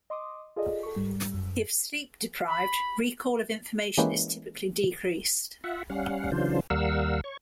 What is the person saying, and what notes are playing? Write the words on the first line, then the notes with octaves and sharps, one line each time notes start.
If sleep deprived, recall of information is typically decreased.
D#5 C6 D6 D#6
F4 G#4 A4 D5 D#5
A4 C#6
G#2 G3
F#2
B5
E3 G#3 A#3 C#4 G4 B4
F4 E5 F#5
G3 C#4 F5 F#5
C#3 E3 F#3 D4 F4 C5
D#2 G3 A#4 F5 F#5 E6
C#5 C#6